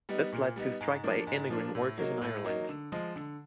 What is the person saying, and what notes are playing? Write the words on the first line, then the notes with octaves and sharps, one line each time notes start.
This led to a strike by immigrant workers in Ireland.
G3 B3 D#4
A#2
G3 B3 D#4
G#2
F3 A#3 D4
G#2
F3 A#3 D4
A2
F#3 A#3 D#4
A2
F#3 A#3 D#4
D3
F3 G#3
D3